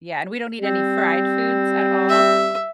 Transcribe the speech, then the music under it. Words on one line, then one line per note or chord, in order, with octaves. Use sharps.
Yeah, and we don't eat any fried foods at all,
G3 C4
E5